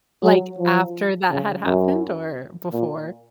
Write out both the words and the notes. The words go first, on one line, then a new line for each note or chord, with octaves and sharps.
like, after that had happened or before?
F#3
F3
C#3
F#2
A#2